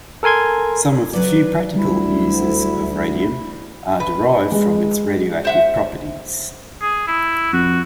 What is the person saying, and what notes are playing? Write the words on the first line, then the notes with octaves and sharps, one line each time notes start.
Some of the few practical uses of radium are derived from its radioactive properties.
A4 A#4 G#5 C6 G#6
F#3 B4 D5
D2 G3 E4
B4
G#3
C5 E5 F#5
G#4
E4
F2 F#4